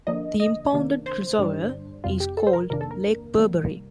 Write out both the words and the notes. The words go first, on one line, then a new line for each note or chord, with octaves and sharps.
The impounded reservoir is called Lake Burbury.
D3 F3 A#3 D4 D#5
D#5
C3 D#3 A#3 D4
C5
G2 D3 G3 D4
F2 C3 G3 F4
G4
A4
C5
A#4
F2 C3 D#3 A#3 D4 A#4
A4
A#4
C3 D#3 G3 A#3